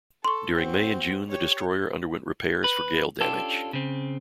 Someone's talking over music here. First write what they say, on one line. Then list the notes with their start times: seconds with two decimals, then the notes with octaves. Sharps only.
During May and June, the destroyer underwent repairs for gale damage.
0.25 A4 C6 C#6
0.55 C4 F#4
1.29 G4 C#5
2.64 B4
3.21 C#4 D4 F4 G4 A4
3.73 C#3 C4